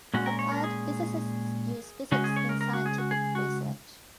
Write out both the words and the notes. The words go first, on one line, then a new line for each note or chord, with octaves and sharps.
Applied physicists use physics in scientific research.
A#2 G#3 C#4 F#4
A#4
C#5
A#4
G#4
C#3 G#3 C#4 F#4
G#4
C#5
A#4
A#4
F#4
G#4
F#4
G#4
F#4